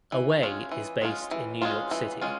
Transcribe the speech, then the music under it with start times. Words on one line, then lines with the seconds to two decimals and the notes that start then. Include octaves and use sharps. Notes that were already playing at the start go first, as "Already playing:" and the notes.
Away is based in New York City.
0.12 E3
0.42 G#3 C#4 F4
0.71 E3
1.01 G#3 C#4 F4
1.31 E3
1.61 G#3 C#4 F4
1.91 E3
2.21 G#3 C#4 F4